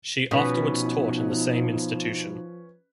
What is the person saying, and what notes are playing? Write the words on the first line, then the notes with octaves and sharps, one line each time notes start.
She afterwards taught in the same institution.
B2 F3 C#4 D#4 B4